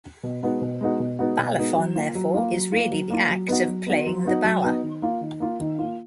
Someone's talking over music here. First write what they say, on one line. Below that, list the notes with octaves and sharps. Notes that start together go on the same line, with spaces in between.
Balafon therefore is really the act of "playing the bala".
B2
G#3 B3 D#4 F#4
B2
G#3 B3 D#4 F#4
B2
G#3 B3 D#4 F#4
B2
G#3 B3 D#4 F#4
F#3
A#3 F4
F#3
A#3 F4
F#3
A#3 F4
F#3
A#3 F4
F#3
B3 D#4 F#4
F#3
B3 D#4 F#4
F#3
B3 D#4 F#4
F#3
B3 D#4 F#4
D#3
A#3 F4
D#3
A#3 F4
D#3
A#3 F4